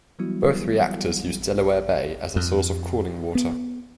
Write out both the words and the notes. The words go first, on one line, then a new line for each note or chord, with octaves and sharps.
Both reactors use Delaware Bay as a source of cooling water.
E3 F#3 G3 B3 E4 F#4
F2
B3